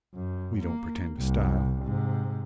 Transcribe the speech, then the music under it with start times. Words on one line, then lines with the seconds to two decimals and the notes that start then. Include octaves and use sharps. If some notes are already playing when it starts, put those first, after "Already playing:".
We don't pretend to style.
0.14 F#2
0.61 A#3
1.19 C2
1.83 G#2 C3